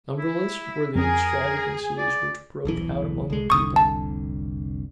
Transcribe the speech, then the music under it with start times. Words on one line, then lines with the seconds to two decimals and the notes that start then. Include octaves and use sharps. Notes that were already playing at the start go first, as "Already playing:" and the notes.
Numberless were the extravagancies which broke out among the people.
0.18 E4
0.96 F2 G#4 A#4
1.98 D5
2.65 D#1 B1 E3
3.30 C2 G#3
3.50 F1 C2 D3 C#6 D#6
3.76 A5